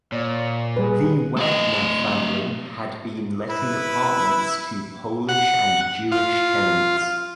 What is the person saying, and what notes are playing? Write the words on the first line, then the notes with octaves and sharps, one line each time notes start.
The Wagner family had been letting apartments to Polish and Jewish tenants.
A#2 C#5 D5
G3 G4 G#4 B4
A3 D#5
E4 B4
F#5
F4